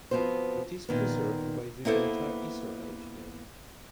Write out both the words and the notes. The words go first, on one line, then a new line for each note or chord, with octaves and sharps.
It is preserved by the Beta Israel today.
F3 B3 C4 F#4 C5
A#2 D#3 B3
A#3 B3 E4 A4 C5